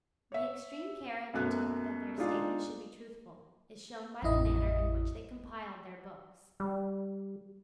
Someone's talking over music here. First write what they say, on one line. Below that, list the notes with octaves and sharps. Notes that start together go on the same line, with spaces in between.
The extreme care they took that their statements should be truthful is shown by the manner in which they compiled their books.
C#5 E5
F#2 B2 A3 A#3 F#6
G#3 D4 D#4 F4 G#4
A1 F2 E4 D#5
G3